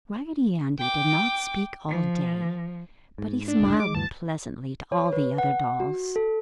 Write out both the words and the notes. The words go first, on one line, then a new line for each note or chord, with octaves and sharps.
Raggedy Andy did not speak all day, but he smiled pleasantly to all the other dolls.
G5 D6
F3
G#2
D4
G1 C#2 A2
G#3 D6
D2 G2 E3 A5
C#5
B4
F#5
F#4
A4